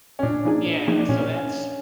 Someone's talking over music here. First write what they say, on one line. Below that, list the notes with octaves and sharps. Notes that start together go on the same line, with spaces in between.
Yeah, so, that's,
C#4
A#2 D4
F3 A#3 D#4 G#4
A#2
F3 A#3 D#4 G#4
D4
A#2 C#4